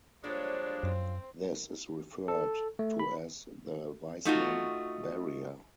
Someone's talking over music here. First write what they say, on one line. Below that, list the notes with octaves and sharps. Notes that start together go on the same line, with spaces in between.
This is referred to as the Weismann barrier.
D3 F3 G3 G#3 A#3 D4 C#5
F#2 C4
A4
A3
B5
A3 D#4 F4 F#4